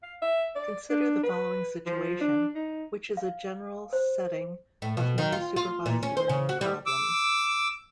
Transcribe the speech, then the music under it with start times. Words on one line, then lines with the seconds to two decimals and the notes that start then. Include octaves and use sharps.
Consider the following situation, which is a general setting of many supervised learning problems.
0.03 F5
0.22 E5
0.56 D5
0.90 D4
1.24 B4
1.86 F3
2.21 D4
2.55 D#4
3.17 F5
3.93 C5
4.82 A2
4.97 B2
5.18 D#3
5.32 F4
5.56 F4
5.86 A#2
6.03 C#4
6.17 C5
6.29 C#3
6.49 F#4
6.61 G3
6.86 D6 E6